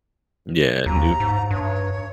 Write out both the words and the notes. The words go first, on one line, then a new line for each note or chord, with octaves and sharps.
Yeah, new
D#2 A#5
G#2
G2 C#5